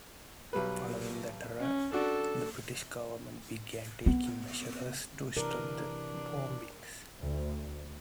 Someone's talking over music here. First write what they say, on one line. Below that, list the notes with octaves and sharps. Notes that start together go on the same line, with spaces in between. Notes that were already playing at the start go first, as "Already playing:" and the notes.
Following the terror, the British government began taking measures to stop the bombings.
B1 G3 B4
C#4
D4 F#4 A4
B3
C3 E3 D4 A#4
D2